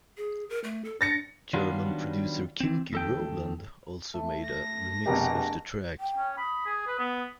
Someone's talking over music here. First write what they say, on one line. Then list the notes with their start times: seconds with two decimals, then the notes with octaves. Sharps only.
German producer Kinky Roland also made a remix of the track.
0.17 G#4
0.50 A#4
0.64 A3
0.85 A4
1.01 D4 A6 A#6 C#7
1.53 D#3 F#3 G3 B3 D4 F4
2.60 E3 C4
2.93 D#2 A4 G5
4.14 A3
4.46 A#6
5.06 F1 B2 D4 G4 G#4 A#4
6.00 G5
6.18 C#4
6.38 B5 D#6
6.66 G#4
6.87 B4
6.99 B3